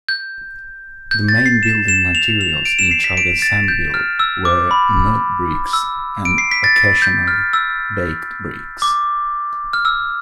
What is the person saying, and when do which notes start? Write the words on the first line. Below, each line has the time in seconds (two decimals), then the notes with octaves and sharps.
The main building materials in Chogha Zanbil were mud bricks and occasionally baked bricks.
0.09 G6
1.11 G6
1.28 A6
1.46 C7
1.63 E7
1.88 E7
2.15 F7
2.41 F7
2.65 D7
2.79 E7
2.91 C7
3.04 B6
3.17 D7
3.42 A6
3.68 G6
3.94 F6
4.19 E6
4.45 D6
4.71 B5
5.73 E6
6.25 D7
6.38 C7
6.51 B6
6.64 A6
6.76 A6
7.02 G6
7.28 F6
7.53 E6
8.82 D6
9.73 F6
9.85 E6